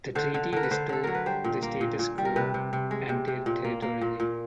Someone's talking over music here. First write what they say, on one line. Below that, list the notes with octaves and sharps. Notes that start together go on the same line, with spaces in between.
The treaty restored the status quo ante territorially.
D3 C5
D3
D3 A#4
B4
D3 C5
D3 A4
F#3 A#4
B4
G3 C5
A#2
A#3
A#2
A#2
G3
A#4
C3 B4
C3
C3
G#3
C3
C3
A#2
A#3
A#3
A#2
A#2